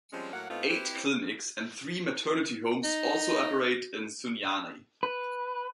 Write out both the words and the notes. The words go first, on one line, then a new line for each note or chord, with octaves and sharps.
Eight clinics and three maternity homes also operate in Sunyani.
F3 G3 G#3 C4 C#4
A2 F#3 A#3 F5 F#5
A2 A3 B3 C4 D#4 F4
C4 E4 G4 B4 C5
D#4
B4